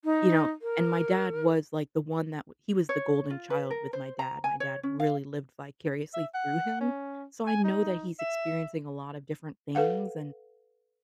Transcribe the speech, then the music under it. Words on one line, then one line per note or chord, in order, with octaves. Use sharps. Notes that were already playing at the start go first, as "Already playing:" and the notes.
you know and my dad was, like, the one that he was the golden child with my dad. My dad really lived vicariously through him, so I know that he's experiencing a lot of different things, and
D#4
A#4
C#5
F4
B4
A#4
C5
A#5
G#5
C#5
C#4
F5
E5
F#5
C#4
G#5
D#4
E5
A4 B4 F5 F#5